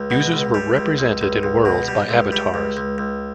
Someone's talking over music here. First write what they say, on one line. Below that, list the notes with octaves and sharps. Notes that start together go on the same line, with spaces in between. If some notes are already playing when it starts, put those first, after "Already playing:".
Users were represented in worlds by avatars.
Already playing: C#2
B2
C#2
G3
C#2
C#2
C#2
C#2
B2
G3
C#2
G3
C#2
C#2
C#2